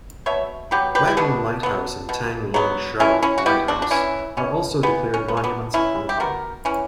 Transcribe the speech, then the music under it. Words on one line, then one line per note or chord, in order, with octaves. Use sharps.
Waglan Lighthouse and Tang Lung Chau Lighthouse are also declared monuments of Hong Kong.
B2 C#5 E5
F#3 B3 G4 B4
G4 B4
E4
B2 B3 D4
F#3 B3
B2
F#3 B3
E3 C#4 E4
C#4 E4
F#4
B3 E4 G4
D4 F#4
D4
E3 C#4 E4
B3 C#4
E3 B3
C#4
B3
C#4
B3 D4
E3 C#4 E4
G4
B3 F#4 A#4
E3 C#4